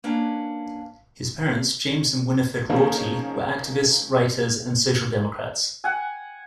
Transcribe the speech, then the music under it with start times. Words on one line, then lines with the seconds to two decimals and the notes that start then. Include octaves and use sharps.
His parents, James and Winifred Rorty, were activists, writers and social democrats.
0.04 A#3 C#4 D4 B4
2.70 C#3 F3 A#3 C#4 D#4 G#4
5.84 F#5 G#5